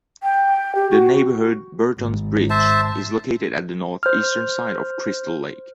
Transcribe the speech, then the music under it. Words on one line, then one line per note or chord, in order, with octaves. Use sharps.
The neighborhood Burtons Bridge is located at the north-eastern side of Crystal Lake.
G5
G4
F#4
G#1
C5 E5 A5
C5 F6